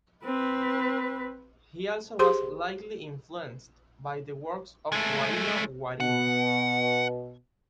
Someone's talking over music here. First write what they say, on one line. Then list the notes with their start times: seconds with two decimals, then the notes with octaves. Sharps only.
He also was likely influenced by the works of Guarino Guarini.
0.25 C4 B4
2.19 G4 G#4 C5 C6
4.92 G#3 A3
6.00 B2 F#5